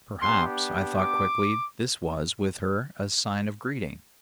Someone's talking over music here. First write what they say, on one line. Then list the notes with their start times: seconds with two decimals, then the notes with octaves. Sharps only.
Perhaps, I thought quickly, this was, with her, a sign of greeting.
0.21 B3 D4 G4 C6
0.97 D6